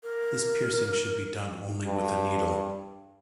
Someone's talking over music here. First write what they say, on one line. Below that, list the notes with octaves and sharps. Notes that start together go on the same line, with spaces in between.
This piercing should be done only with a needle.
A#4
G2